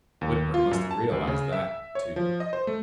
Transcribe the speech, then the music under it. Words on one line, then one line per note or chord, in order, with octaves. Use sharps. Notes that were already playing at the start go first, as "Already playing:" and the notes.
Whitburn must have realized that, too.
D#2
F4
F#2
A5
D2
C#3
E5
C#5
F3
D#5
C5
A3